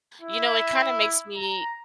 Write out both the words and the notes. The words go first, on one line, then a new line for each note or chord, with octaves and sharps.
You know, it kinda makes me
E4
A#5